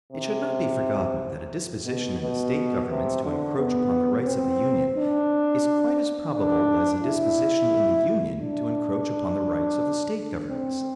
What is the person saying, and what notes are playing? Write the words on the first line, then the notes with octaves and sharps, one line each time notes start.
It should not be forgotten that a disposition in the State governments to encroach upon the rights of the Union is quite as probable as a disposition in the Union to encroach upon the rights of the State governments.
C3
B2
B2
C3
D3
B3
C4
D4
D4
E4
D4
C4